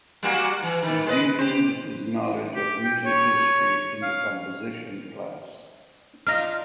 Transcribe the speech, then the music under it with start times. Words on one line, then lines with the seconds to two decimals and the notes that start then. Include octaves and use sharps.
He deepened his knowledge of music history in the composition class.
0.23 G3 A#3 F#4
0.63 E3
0.83 D#3
1.06 G#3 B4 D#5
1.38 G4 C5
2.54 G4
2.84 G5
3.06 C#5
4.02 F5
6.27 D4 D#4 F4 F6 A#6